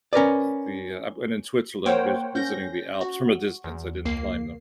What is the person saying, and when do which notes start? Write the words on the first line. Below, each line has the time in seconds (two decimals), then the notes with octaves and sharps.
uh, the uh I went in Switzerland vis visiting the Alps, from a distance, I didn't climb them,
0.13 C#4 A#4 B4 D5
1.86 A#3 A#4 C5 C#5 F#5 G5
2.35 C#4 G6 A#6
3.01 F#4
3.64 E2
4.05 C#2 A#3 C7